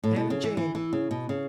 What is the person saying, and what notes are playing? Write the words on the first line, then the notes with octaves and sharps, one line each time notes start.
Hannah Jane!
A2
B2
C#3
E3
E3
E3
C#3
B2
C#3